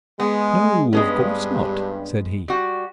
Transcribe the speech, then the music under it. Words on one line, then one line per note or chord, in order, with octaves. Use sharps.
"No, of course not," said he.
G#3 B3
G2 G#3 B3 C#4
G3 F#4